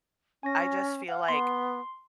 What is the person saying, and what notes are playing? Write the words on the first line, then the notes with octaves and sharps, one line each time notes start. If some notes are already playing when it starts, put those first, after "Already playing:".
I just feel like
C#4 G#5 C#6 A#6
F5 F#5
B3 C6